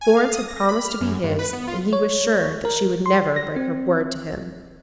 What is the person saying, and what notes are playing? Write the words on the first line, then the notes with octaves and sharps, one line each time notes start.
Florence had promised to be his, and he was sure that she would never break her word to him.
G#5
F5
D#6
A#6
B5
F6
F#2
G2
B4
B3
F4
C#5
A#4
C6
A#6
C4